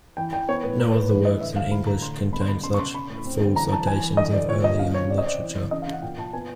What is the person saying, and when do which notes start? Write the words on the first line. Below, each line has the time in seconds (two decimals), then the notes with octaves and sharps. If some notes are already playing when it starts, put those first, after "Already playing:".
No other works in English contain such full citations of earlier literature.
0.17 E3 G5
0.33 E3 G5
0.48 B3 C#5
0.63 A2 B4
0.79 A2 A#4
0.94 A2 B4
1.09 E3 B4
1.25 E3 D#5
1.40 D3 E5
1.56 D3 F5
1.71 A2 B5
1.86 A2 A#5
2.02 D3 C6
2.17 D3
2.33 B2 B5
2.41 C6
2.48 B2 B5
2.63 C#3 C6
2.74 C#6
2.79 C#3 C6
2.94 C#4 B5
3.10 A2
3.25 C4
3.41 D3
3.56 E3 A#5
3.72 E3 A5
3.87 E3 G#5
4.03 E3
4.17 D3 D#5
4.33 D3 D5
4.49 A#2 C#5
4.64 A#2 D#5
4.79 C#4 F5
4.94 D#3 C#5
5.10 C4 D5
5.18 D#5
5.26 C3 D5
5.41 E3
5.56 E3
5.71 C#3 D#5
5.82 F5
5.87 C#3
5.92 F#5
6.02 A#2 G5
6.18 A#2 A5
6.33 B3 G#5